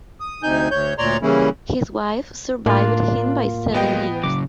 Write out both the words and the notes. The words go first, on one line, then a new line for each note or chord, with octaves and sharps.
His wife survived him by seven years.
D#6
D2 C3 D#4 G#5 G6
D2 C#5 G6
D2 A#2 C#5 D5 A#5 C6
C#3 E3 G3 A#3 C#4 E4
A2 A#3 D4 F4
G#3 B3 G4 D#5 G5
C#3 F#3 D6